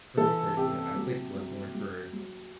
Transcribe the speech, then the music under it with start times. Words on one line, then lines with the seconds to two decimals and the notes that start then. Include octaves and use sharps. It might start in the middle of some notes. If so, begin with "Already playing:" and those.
for me, personally, I played Bloodborne for
0.17 E3 A4
0.57 C3 G4
0.96 F#3
1.35 F#3
1.74 F#3
2.13 F#3